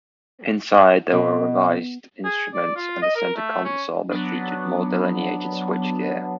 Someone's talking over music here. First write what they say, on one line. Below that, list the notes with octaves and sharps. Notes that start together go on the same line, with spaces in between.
Inside, there were revised instruments and a centre console that featured more delineated switchgear.
B2
G#4
D5
F4
D#5
A#4
A3
C#4
F#3 B3 D4